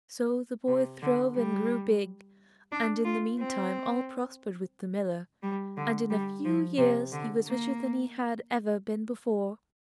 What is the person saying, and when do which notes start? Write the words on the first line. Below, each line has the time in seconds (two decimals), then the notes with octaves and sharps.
So the boy throve and grew big, and in the meantime all prospered with the miller, and in a few years he was richer than he had ever been before.
0.68 C3
1.02 D3
1.36 G3
2.72 D4
3.05 F4
3.39 C4
5.43 G3
5.77 D3
6.10 G3
6.45 F3
6.78 C3
7.12 D3
7.47 A#3